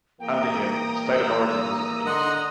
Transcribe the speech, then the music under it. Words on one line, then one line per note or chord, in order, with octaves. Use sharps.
Under him State of Origin was introduced.
E2 A#3 G5 A#5 D#6
E6
D3 D#5 F#5 C6